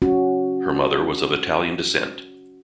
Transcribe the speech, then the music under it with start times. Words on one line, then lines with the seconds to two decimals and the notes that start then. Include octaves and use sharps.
Her mother was of Italian descent.
0.02 C#4 F#4